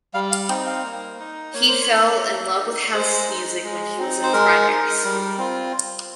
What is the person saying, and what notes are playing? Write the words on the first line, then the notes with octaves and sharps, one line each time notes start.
He fell in love with house music when he was in Primary School.
G3 F5
F5
C4 D#4 G5
F5
A#3
D#4
A#3 C#5
C5
C#5
D#4
A#3
D#4
G#3 C5
D#4
G#3
C4 D#4
C5
G#3 A#4
D#4
G3
C4 F4